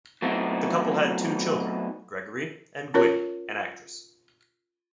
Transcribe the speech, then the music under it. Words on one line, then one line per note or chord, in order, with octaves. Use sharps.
The couple had two children, Gregory and Gwynne, an actress.
F#3 A3 B3 C4 D#4 E4
C#4 F4 A#4 C#5